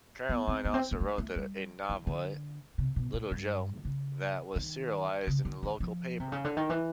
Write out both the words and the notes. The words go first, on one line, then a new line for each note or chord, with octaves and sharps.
Caroline also wrote a novelette "Little Joe" that was serialised in the local paper.
B3
C4
B3
C4
A#3
A3
A3
G3
E3
D3
C3
B2
A#2
G2
C#3
D#3
C#3
D3
D#3
F3
C3
C#3
D3
D#3
E3